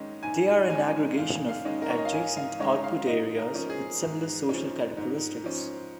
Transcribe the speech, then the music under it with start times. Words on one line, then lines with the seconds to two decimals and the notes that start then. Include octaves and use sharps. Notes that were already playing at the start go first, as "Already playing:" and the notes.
They are an aggregation of adjacent Output Areas with similar social characteristics.
Already playing: G#2 D#3 G#3 C#4
0.23 G#2 G#5
0.70 D#3 G#3 C#4 G#5
1.17 G#2 F5
1.49 F5
1.65 D#3 G#3 C#4
1.82 A#4
1.90 C#5
1.98 D#5
2.05 F5
2.13 G#2 G#5
2.37 F5
2.59 D#3 G#3 C#4 C#5
2.84 F5
3.07 G#2 D#5
3.39 A#4
3.54 F3 C#4
3.70 G#4
4.02 G#2
4.49 F3 C#4
4.97 G#2
5.44 F3 C#4